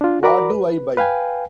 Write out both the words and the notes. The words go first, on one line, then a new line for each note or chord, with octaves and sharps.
What do I buy?
D4 F4
F#4 A#4 D5 A#5 B5 D6
B4
B4 F5 G5 G#5